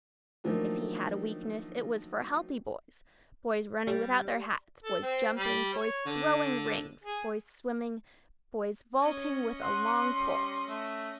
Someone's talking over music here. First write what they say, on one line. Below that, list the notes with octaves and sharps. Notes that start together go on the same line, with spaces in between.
If he had a weakness, it was for healthy boys--boys running without their hats, boys jumping, boys throwing rings, boys swimming, boys vaulting with a long pole.
D#3 F3 F#3 A3 A#3 D4
G3
A4
C4
G3
C#5
D3
G#4
C#4 C#5 D#5
F#5 C6
G3
A3